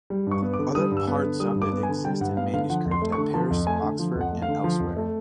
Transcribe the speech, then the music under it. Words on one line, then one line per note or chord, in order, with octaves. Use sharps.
Other parts of it exist in manuscript at Paris, Oxford, and elsewhere.
G3
G2 C#6
B3
D6
D3
G3 D#6
G2
E6
B3
D3
G3 D#6
G2
D6
B3
G#5
D3
G3 G5
G2 F#5
B3 F5
D3 F5
F3 F#5
F2
C6
A3
C#6
D3
F3 A5
F2
A3 G#5
D3
F3
F2
F#5
A3
F5
D3
F3
F2
A3